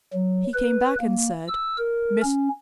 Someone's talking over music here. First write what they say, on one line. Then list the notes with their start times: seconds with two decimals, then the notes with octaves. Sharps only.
He came back and said, 'Mr.
0.14 F#3
0.54 B4
1.01 A#3
1.48 E6
1.78 A#4
2.23 C#4